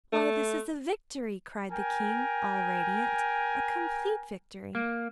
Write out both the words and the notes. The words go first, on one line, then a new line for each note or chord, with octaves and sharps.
"Why, this is a victory!" cried the king, all radiant, "a complete victory!"
A3
A#4 G5 G#5
A#3